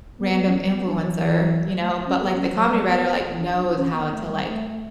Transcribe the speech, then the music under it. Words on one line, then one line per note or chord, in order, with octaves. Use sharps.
random influencer, you know, but like the comedy writer like, knows how to like,
B3
B3
C#4
B3
B3
D4
F#3
E3
A3
C#4
B3
C#4
F#3
G3
B3
D4
D4
C#4
B3
A3
G3
A3
A3